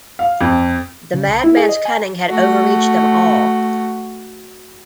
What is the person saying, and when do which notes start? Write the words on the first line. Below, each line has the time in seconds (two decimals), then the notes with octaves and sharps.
The madman’s cunning had overreached them all.
0.19 F5
0.41 F2
1.14 C#3
1.28 C2
1.44 E4
1.57 G#4
1.69 D#5
1.85 G#5
2.28 A3 F#4